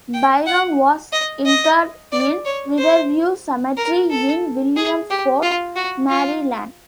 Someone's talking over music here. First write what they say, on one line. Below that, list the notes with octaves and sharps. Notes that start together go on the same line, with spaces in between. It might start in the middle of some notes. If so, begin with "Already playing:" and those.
Byron was interred in Riverview Cemetery in Williamsport, Maryland.
G5
F#5
D#5
D#5
D5
C#5
C5
A#4
A4
G#4
G4
F4
F#4
F4